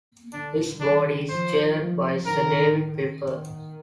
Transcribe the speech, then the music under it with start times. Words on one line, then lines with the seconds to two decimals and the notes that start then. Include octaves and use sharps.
Its board is chaired by Sir David Pepper.
0.33 D3 D4
0.80 D#3 D4
1.29 F3 C5
1.77 F3
2.25 D#3 A#4
3.22 D#3